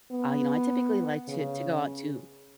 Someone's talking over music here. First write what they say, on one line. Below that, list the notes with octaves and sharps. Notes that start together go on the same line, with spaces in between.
uh, you know, I typically like to to go out to
B3
C#3